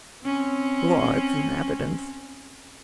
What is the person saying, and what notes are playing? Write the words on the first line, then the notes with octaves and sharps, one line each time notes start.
Who are its inhabitants?
C4 C#4